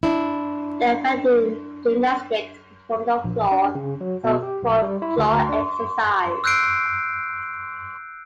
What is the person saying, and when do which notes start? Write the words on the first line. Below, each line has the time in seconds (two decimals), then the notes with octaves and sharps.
The event in gymnastics performed on floor is called floor exercise.
0.03 D4 E4
3.24 A#1
3.52 D4
3.75 C#3
4.01 F#3
4.24 B2
4.43 G4
4.63 B1
4.82 G3
5.02 E4
5.17 D2
5.49 D4
6.44 E6 F#6 G6 C7 D7